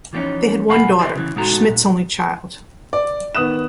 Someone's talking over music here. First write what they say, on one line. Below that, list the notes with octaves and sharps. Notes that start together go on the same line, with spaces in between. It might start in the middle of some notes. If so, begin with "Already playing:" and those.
They had one daughter, Schmidt's only child.
E3 F3 A#3 B3 C#4 D#4
B1 A#4 F5 F#5 G#5 B5
E4 F4 G4 A#4 C5 D#5
C#3 E3
A#2 G#3 D#4 F#4 A4 A#5
A#2
D5
D#3 B3 D#6 F#6 E7